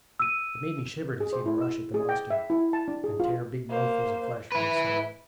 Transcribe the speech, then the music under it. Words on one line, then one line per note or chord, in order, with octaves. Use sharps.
It made me shiver to see them rush at the monster, and tear big mouthfuls of flesh from its side.
E6 D#7
G#4
C5
E4
E6
G#4
G5
E5
E4
A5
D4
G#4
F4
A#3 C5
E4 B4